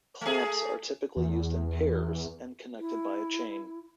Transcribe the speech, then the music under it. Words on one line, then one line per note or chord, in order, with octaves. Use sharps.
Clamps are typically used in pairs and connected by a chain.
A3 G#4
E2
E4